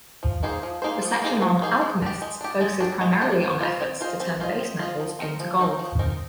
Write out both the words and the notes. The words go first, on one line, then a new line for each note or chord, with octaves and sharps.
The section on "alchemysts" focuses primarily on efforts to turn base metals into gold.
F3
A#3 D#4 G#4 C5
F3
A#3 D#4 G#4 C5
F3
A#3 D#4 G#4 C5
F3
A#3 D#4 G#4 C5
G#3
D4 G4
G#3
D4 G4
G#3
D4 G4
G#3
D4 G4
C4
F4 C5 D#5
C4
F4 C5 D#5
C4
F4 C5 D#5
C4
F4 C5 D#5
F3
C4 D#4 A#4
F3
C4 D#4 A#4
F3
C4 D#4 A#4